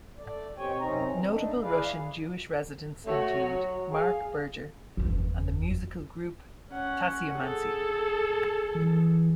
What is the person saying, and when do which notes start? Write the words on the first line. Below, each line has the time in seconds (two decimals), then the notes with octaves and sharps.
Notable Russian Jewish residents include Mark Berger and the musical group Tasseomancy.
0.18 A3 D5
0.57 B2 C4 G4 C#5 G5 G#5
0.80 F#2 C3 C4 C#4 D#4 A#5
1.10 E3 C4
1.29 A3 D4 D#4
1.62 E3 G#4 B4 D5 F5
3.06 A3 F#4 C#5
3.37 F#3
3.92 G#4 F5
4.97 F#1 E2
6.70 C#4 F#5
7.39 G#4 A4
8.75 E3